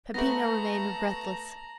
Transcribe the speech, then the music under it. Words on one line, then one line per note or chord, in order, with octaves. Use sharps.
Peppino remained breathless.
A3 B3 A5 A#5 A#6 F#7